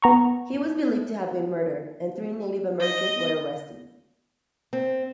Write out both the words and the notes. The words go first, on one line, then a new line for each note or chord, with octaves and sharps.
He was believed to have been murdered, and three Native Americans were arrested.
B3 A#5 C#6
D#5
C4